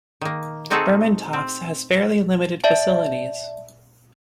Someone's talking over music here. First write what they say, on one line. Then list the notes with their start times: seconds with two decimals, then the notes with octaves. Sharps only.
Burmantofts has fairly limited facilities.
0.21 D#3 A#3
0.70 A3 C4 D#4 F#4 G#4 A4
1.33 C4
2.64 D5 E5 A5